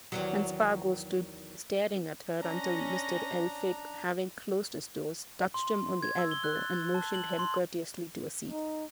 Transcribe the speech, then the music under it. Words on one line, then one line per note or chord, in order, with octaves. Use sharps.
And Spargo stood staring at her until Mr. Elphick, having closed his doors, touched him on the elbow, and motioned him courteously to a seat.
E2 D#3 F#3
C#4 D4 A#5 A#6
C6
C6
G#6
E6
G7
F#6
A6
A5
F#7
C6
D#4